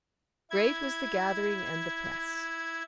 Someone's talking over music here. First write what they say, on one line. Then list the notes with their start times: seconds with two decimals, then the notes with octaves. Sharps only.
Great was the gathering and the press.
0.51 E4 G#6